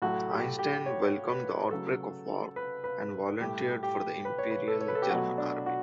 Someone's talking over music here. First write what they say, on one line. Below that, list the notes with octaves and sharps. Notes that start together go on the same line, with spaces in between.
Einstein welcomed the outbreak of war and volunteered for the Imperial German Army.
A2 F#3 A3 F#4
G4
G4
C#5
B4
C#3 F#3 A3 A4
B4
B4
A2 G3 G4
G4
B4
C#5
B4
A4
C#5
B4
A4
G4
B2 F#3 A3 F#4
D4
F#4